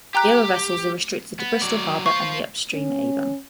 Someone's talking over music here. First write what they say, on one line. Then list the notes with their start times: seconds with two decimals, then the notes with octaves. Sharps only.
The other vessels are restricted to Bristol Harbour and the upstream Avon.
0.15 G4 G5 A#5 F#6
1.40 B3
1.62 F#3 D5
2.06 C5 F5 C#6
2.73 C#4